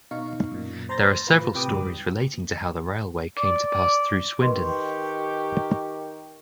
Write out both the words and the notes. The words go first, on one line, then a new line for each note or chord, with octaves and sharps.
There are several stories relating to how the railway came to pass through Swindon.
B2 D#4 F5 C#6
F#2 A#2
C5 A#5 C6 G6 A6 A#6
A2 F4 B4
C3 B4 G5 D6 D#6
D2 G#2 G3
D5
D#3 G4 A#4 B4 D#5 C6 C#6